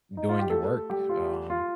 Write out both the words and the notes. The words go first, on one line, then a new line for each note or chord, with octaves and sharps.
doing your work, um,
D#4
F4
G4
A3 A4
G3 G4
F4
F4